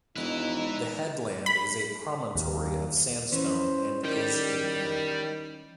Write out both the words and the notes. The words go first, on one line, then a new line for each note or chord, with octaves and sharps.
The headland is a promontory of sandstone and is in area.
E1 D#4 E4 B4
B5
D#2
E3 C#4 B4 C5
D#3 G3 G5